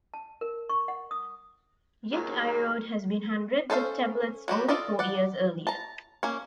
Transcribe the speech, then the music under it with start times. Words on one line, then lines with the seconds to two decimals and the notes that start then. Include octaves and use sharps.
Yet Eyraud had seen hundreds of tablets only four years earlier.
0.14 A5
0.41 A#4
0.69 C#6
0.88 F#5
1.11 D#6
2.11 D#2 G#2 B2 D#3 F#3
3.70 C#4 A4 C5 E5 F5
4.48 F#3 F#4 G4 B5
4.68 F4 A4 D5 D#5
4.99 D5 F#5
5.67 A5 A#5
6.23 A#3 C#4